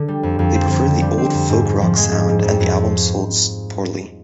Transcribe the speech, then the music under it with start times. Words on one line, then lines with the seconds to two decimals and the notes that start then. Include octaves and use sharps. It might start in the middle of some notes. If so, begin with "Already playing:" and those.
They preferred the old folk-rock sound, and the album sold poorly.
Already playing: D3
0.08 G3
0.23 F2
0.39 F2
0.55 C4
0.70 F2
0.87 D3
1.02 G3
1.18 C4
1.34 F2
1.50 G#2
1.65 G#2
1.81 F3
1.97 G#3
2.12 G#2
2.28 G#2
2.43 F2
2.60 F2